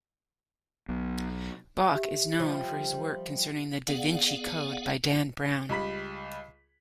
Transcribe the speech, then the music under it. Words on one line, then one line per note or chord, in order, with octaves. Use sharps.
Bock is known for his work concerning "The Da Vinci Code" by Dan Brown.
B1 B2
G4 E5
F3 G3
B3 G#4 D5 F5 F#5
C#2 G3 B5 B6